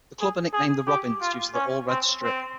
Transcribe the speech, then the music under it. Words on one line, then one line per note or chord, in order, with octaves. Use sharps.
The club are nicknamed "The Robins" due to their all-red strip.
G#4
G#4
G4
F4
C#4
C4
C4